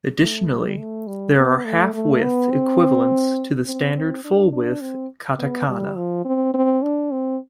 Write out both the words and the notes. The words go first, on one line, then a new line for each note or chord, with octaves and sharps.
Additionally, there are halfwidth equivalents to the standard fullwidth katakana.
A3
G3
A3
G3
B3
A3
A3
B3
C4
C4
C4
D4
D4
C4
B3
G3
F3
C4
C4
D4
C4